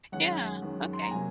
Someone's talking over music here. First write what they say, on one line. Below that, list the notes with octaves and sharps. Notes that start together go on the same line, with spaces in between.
Yeah. Okay.
F#2 D#3 G#3 C#4 F#5
F#2 D#3 G#3 C#4
C6
A#5
C3 F#3 A#3 G#5